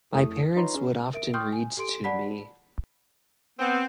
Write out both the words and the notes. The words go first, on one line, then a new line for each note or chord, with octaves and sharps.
My parents would often read to me.
F2 A3 E4 D#6
D#4 F4 B4 C#5 A#5 C6
C#4 G#4
A#4 E5 D7
G5 C6 C#6 D#6 F6 G6
G#5
G4 A4 C6 D7
D5 F#5 A5 B5 B6
B3 C4